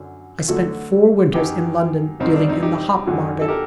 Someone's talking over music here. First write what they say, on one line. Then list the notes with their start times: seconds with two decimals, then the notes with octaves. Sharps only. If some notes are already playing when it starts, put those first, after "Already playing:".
I spent four winters in London dealing in the hop market.
Already playing: F#2 D3 F#3
0.48 D2 D3 F#3 F#4 A4
1.34 F#2 F#3 D#4 G4
2.20 C2 C3 D#3 C4 D#4
2.34 D4
2.48 C4 D#4
2.62 D#4 G4
3.06 F#2 D3 F#3
3.41 A4
3.48 G4 A#4